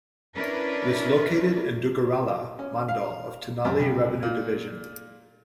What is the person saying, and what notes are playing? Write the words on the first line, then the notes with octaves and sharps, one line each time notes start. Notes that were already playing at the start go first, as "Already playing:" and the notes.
It is located in Duggirala mandal of Tenali revenue division.
C#4 D4 E4 A#4 B4
C#4
F5
F#2
C2
A#2